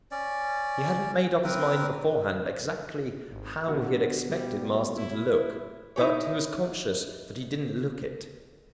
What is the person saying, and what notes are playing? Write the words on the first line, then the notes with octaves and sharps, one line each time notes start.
He hadn't made up his mind beforehand exactly how he had expected Marsden to look, but he was conscious that he didn't look it.
C#4 D5
C4 A#4 B4
G#1
B2 D3 F#4
G3
E4
D#4 E4 G4 G#4 C#5